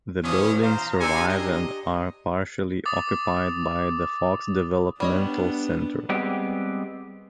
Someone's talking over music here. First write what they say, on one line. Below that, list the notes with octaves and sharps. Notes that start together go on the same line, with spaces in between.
The buildings survive and are partially occupied by the Fox Developmental Center.
A#2 E3 C#4 D#6
C5 F5 A#5
D4 G4 C5 G#5 E6 C#7
D#5
D6 D#6 A6 F7
G3 B3 D4 C#5 D#5
G3 G#3 B3 C4 G4